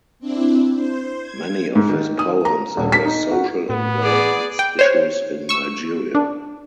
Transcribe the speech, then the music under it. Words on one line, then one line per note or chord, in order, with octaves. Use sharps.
Many of his poems address social and governance issues in Nigeria.
C4 D4 E4
C5
G#6
G#2
D#3
D#6
A#5
D#1
B6
D#4
F#4
A2 B3
G#4 D5 D6
G5
C5 C#5
C#6 E6
D4